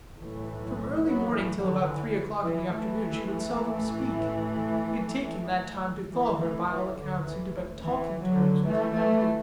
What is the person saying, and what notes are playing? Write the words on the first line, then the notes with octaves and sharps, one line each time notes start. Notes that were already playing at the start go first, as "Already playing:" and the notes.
From early morning till about three o'clock in the afternoon she would seldom speak--it taking that time to thaw her, by all accounts, into but talking terms with humanity.
B1 A2 E3 A3
F#3 B3
E3 A3
D3 F#3
E3
E3
E3 A3
A1 A2
E3
E3 A3
E3
D2 D3
E3
E3
D3 F#3
E3 A3
E3 A3